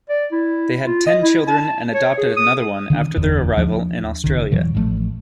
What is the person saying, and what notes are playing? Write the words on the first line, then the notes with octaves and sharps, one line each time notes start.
They had ten children and adopted another one after their arrival in Australia.
D5
E4
F4
D#5
E4
A5
C#5
G#4
D#6
D3 D#3 B3 D4
F#1 E2 D3
D#2 F3 B3 D4
F#1 C#2 D#3
E1 A#2 E3 F#3
A1 F3 F#3 A3